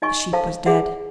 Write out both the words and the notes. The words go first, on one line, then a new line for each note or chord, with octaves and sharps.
The sheep was dead.
D#4 D#5 G#5 C#6
A4 C5 F5 A5
G#4 D5 E5 F#5